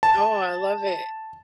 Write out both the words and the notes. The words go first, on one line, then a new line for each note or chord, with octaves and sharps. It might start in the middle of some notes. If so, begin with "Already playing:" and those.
Oh, I love it.
A5